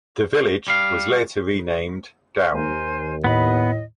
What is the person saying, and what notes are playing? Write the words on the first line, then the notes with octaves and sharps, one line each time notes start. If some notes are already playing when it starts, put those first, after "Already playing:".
The village was later renamed Downe.
G3 F5
D#2 A#4 C5 G#5
A2 B3 D#5 B5